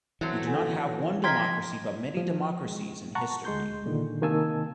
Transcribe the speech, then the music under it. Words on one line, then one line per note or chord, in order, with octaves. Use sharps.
We do not have one democracy but many democracies in history.
E3 F#3 A3 C4
A4 F#5 G#5
F3 D#5 G5 A#5 C6 F6 G#6 B6
F3
G#3
F#5 A5 A#5 C#6
D2 G#3 C6 G6
A#2 D3 D#3
C3 D#3 A#3 G#5 A5 E6